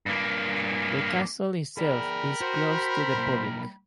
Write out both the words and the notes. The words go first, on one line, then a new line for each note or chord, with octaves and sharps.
The castle itself is closed to the public.
G2 A#3
G#4 A#4 D5 G5 B5
F#4 C5
B1 A#3